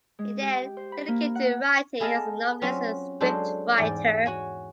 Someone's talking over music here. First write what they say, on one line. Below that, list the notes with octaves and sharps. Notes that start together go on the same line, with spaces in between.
He then dedicated to writing as novelist and scriptwriter.
G#3
G4
C5
B5
A#3
F#5
B3 G#4 A4 D#5 F5 A5
F#3 C4 C#4 F4 F#4
F#3 G#3 D4 A4 C5
E2 G#2 G#4 D5 G5
F#4 C#5 G#5